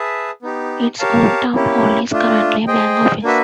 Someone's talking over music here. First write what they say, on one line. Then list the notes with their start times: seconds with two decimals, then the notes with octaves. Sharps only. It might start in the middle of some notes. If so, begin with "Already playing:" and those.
Its old town hall is currently a bank office.
Already playing: G#4 B4 E5 A5
0.42 B3 D#4 G4
0.99 G4 A#4 C#5 F5 A5
1.55 A#3 C#4 E4 G4
2.11 A3 D4 F4
2.67 G#4 C5 D#5 G5
3.23 A#3 D4 F#4 B4 E5